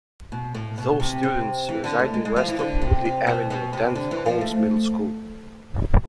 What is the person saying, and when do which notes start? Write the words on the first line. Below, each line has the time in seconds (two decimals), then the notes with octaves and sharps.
Those students residing west of Woodley Avenue attend Holmes Middle School.
0.32 B2
0.55 A2
0.78 B2
1.00 C3
1.23 C3
1.69 E3
1.84 D3
1.99 A3
2.14 G#3
2.25 G#3
2.36 F3
2.48 E3
2.59 D3
2.82 C3
3.05 C3
3.27 B2
3.50 B2
3.73 C3
3.95 D3
4.11 E3
4.26 F3
4.41 A3